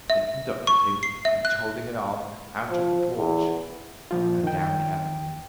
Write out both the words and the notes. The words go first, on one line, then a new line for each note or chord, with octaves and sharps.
They conducted him, each holding an arm, out of the porch and down the avenue.
E5
C#6
C7
E5
F#6
F3
E2
A#2 F3 F4
D#3 G5